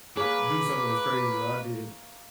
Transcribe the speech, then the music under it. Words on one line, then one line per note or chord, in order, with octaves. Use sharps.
do something as crazy as I did,
A#3 G#4 B4 C#5 D6